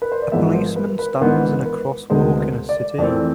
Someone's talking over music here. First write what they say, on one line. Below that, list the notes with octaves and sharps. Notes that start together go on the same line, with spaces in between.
A policeman stands in a crosswalk in a city.
B4
C5
D5
G#1 G#2 F3 G#3 B3 E5
C5
B4
B4
G#1 G#2 E3 B3 D4 C5
B4
D2 C3 G#3 B3 C5
C5
D5
F2 E3 A3 C4 D5